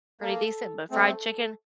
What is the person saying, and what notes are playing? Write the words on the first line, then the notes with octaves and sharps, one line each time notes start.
pretty decent. But fried chicken,
A#3 A4
A3 C4 A4